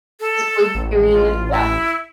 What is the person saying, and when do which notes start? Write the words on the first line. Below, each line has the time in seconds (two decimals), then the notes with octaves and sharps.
His Blue Period, yeah.
0.20 A4
0.75 A1
1.11 F4
1.52 E4